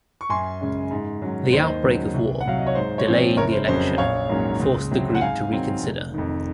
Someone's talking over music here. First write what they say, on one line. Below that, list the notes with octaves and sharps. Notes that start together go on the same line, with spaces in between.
The outbreak of war, delaying the election, forced the group to reconsider.
C#6
F#2 G#5 C6
C#3 G#3 C#4
G#2
D#3 F#3 C#4
D#2 C5 D#5
C#3 F#3
C2
F#5
C3 F#3 F5
D#5
C#5
G#2 C5
C#5
F3 C4 C5
F#1 A#4 C#5
C5
F2 C#3 F#3 C#4 C5
A#1 C#5 F5
G#2 F#3 A#3 C#4
C#2
C3 F#3 C4
F#5
G#2 F5 G#5
D#3 F#3 C4
F1
F2 D#3